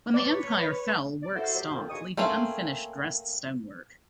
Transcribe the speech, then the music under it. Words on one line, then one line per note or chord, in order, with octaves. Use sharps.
When the Empire fell, work stopped, leaving unfinished dressed stonework.
B4 C#5 D5
D5
E4 F#4 A4 C5
A2 F#3 G4 C5
F2 D#3
D2 A#2 D#4 G#4 C#6 D#6
A3 A#3 C4 C#4 G#4